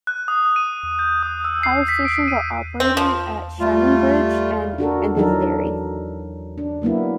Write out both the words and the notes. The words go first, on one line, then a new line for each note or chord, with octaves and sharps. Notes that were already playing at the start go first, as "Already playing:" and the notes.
Power stations are operating at Shannonbridge and Edenderry.
F#6
D#6
D#7
G6
D#6
E6
C7
B6
D7
D#7
C4
F3
G3 A3 F4
D4 F#4 A4 A#4
E3 F#3 D4 D#4 A4 A#4
D4
F#3 A#3 B3 E4